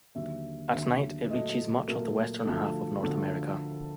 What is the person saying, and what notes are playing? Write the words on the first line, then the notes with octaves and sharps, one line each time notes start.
At night, it reaches much of the western half of North America.
D#2 D3 F#3 E5
D#2 D3 F#3 E5
A#2 F#3 A3 D#5
A#2 F#3 A3 A#4
D2 D3 F3 A3 A4
D2 D3 F3 A3 A4